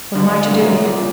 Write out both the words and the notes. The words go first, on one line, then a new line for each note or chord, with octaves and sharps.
What am I to do?
G2 D3
C2 F#2
A#2